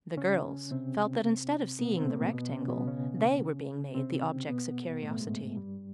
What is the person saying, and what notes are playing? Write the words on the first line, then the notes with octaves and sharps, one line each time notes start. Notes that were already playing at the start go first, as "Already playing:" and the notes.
The girls felt that instead of seeing the Rectangle they were being made the objects of curiosity.
C#3 C#4
C3 C4
B2 B3
C3 C4
A3
A#2 A#3
B2 B3
C#3 C#4
B2 B3
C#3 C#4
C3 C4
B2 B3
A2 A3
G#2 G#3
G2 G3